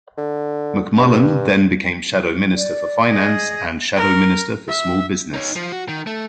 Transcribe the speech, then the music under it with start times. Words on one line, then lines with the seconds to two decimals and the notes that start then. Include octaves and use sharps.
McMullan then became Shadow Minister for Finance and Shadow Minister for Small Business.
0.18 D3
0.99 G2
2.56 D5
3.09 G#4 D#5
3.96 A#4
4.68 E5
5.34 D#4 C#5
5.56 F3
5.72 F#4
5.89 D#3
6.07 A3